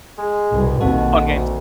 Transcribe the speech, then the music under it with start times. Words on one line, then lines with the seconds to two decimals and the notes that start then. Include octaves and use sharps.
Fun games.
0.18 G#3
0.51 C2 B2
0.81 A#1 D#2 C4 F#4 A4
1.27 D2